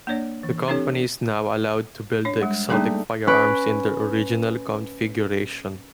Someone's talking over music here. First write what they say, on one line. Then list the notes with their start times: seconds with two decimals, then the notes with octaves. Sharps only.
The company is now allowed to build the exotic firearms in their original configuration.
0.07 A#3 D4 C#5 D5
0.43 E3
0.68 C4 D4 E4 G4 A4 C#5
2.25 D4 C#5
2.41 G3 G#3
2.70 G3 A3 A#3 D4 D#4 G#4
3.27 C#4 B4 D7